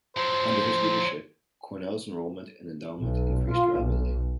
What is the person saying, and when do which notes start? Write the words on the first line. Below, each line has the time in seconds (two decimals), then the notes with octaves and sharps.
Under his leadership, Cornell's enrollment and endowment increased rapidly.
0.16 F3 F#3 C5
3.00 B1
3.51 F4
3.80 B1